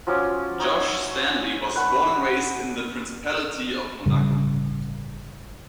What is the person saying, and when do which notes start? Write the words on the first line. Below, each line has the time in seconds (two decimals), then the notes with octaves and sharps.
Josh Stanley was born and raised in the Principality of Monaco.
0.07 F3 F#3 C#4 D6
0.60 D#4 C#5 E5
1.76 B4 F#5 A5 C#6
4.06 G1 A2 C#3 G3